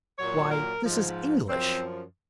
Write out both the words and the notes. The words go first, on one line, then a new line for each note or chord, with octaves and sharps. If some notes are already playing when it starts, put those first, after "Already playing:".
"Why, this is English!"
A#2 F#3 C#5
A#4
G#2 F3
F#2 F3 C4